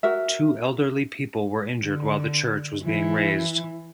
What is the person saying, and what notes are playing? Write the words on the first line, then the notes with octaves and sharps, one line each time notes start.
Two elderly people were injured while the church was being razed.
F#4 A#4 E5
D3
E3